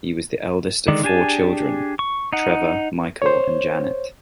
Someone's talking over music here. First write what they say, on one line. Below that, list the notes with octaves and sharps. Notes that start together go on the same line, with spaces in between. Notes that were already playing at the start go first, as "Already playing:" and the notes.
He was the eldest of four children: Trevor, Michael, and Janet.
D3 D#3 G#3 D4
D4 G4 G#4 G#5 A5
C#6
D#4 F#5
C5 C#5